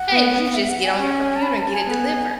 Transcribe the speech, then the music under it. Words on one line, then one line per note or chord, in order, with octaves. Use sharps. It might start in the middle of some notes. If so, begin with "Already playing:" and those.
hey, you just get on your computer and get it delivered.
Already playing: F#5
B3
F#5
E5
F#5
G#5
C#4
A5
B5
A5
G#5
B3